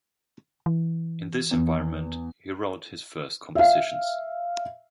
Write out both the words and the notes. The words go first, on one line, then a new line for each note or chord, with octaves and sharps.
In this environment he wrote his first compositions.
E3
E2
E5 F5